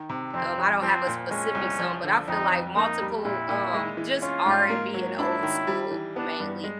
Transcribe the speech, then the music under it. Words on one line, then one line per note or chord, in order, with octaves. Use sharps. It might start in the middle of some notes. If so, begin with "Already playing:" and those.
um, I don't have a specific song, but I feel like multiple, um, just R&B and old school, mainly.
Already playing: D#3
C3
F2 C4
F2
F3 C4
A#2
G#3 C#4
C2
F3
D3
F2 D#4
F2
A#3 D#4
G3
A#2 E4
A#2
G#3
E3
C#4 F4
G#2
A#3
F#3
D4 E4
D#3
G3
E3
B3 D4
G2
G#3